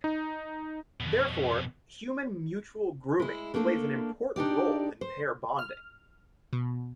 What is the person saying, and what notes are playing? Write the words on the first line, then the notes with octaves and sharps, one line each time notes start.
Therefore, human mutual grooming plays an important role in pair bonding.
D#4
F2 B2
G#3 E4
A3 A#3 D4 G#4 A4
D4 D#4 G4 D5
C5
F6
B2